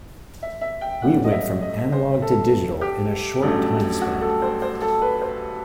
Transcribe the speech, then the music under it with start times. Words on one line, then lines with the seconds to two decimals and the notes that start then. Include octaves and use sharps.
We went from analogue to digital in a short timespan.
0.43 E5
0.61 E5
0.81 G5
1.02 A1 A2 G3 F#5
1.24 D#5
1.32 E5
1.61 D#5
1.92 C5
2.22 A4
2.81 G4
3.42 A1 G2 F#3 A3
4.01 F#4
4.21 A4
4.42 C5
4.62 C5
4.82 A4
5.02 B4
5.21 C5